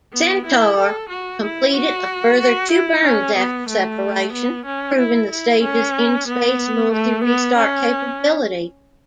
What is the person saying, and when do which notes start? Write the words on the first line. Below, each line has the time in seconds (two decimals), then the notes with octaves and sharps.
Centaur completed a further two burns after separation, proving the stage's in-space multi-restart capability.
0.13 B3
0.46 E4
0.78 A4
1.10 F#4
1.43 E4
1.75 F#4
2.40 F#4
2.72 E4
3.05 C#4
3.36 B3
3.69 A3
4.33 B3
4.66 C#4
4.98 E4
5.31 E4
5.62 C#4
6.28 B3
6.93 A3
7.25 B3
7.56 C#4